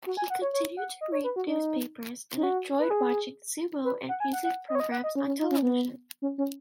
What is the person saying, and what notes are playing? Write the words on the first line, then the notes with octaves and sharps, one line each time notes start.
He continued to read newspapers, and enjoyed watching sumo and music programs on television.
F#4
G#5
F#5
C#5
C#5
F#5
D#5
C#5
B4
F#4
D#4
D#4
F#4
B4
G#4
B4
F#5
G#5
F#5
F#5
D#5
C#5
D#5
F#5
D#5
C#4
C#4
D#4
C#4
B3
C#4
C#4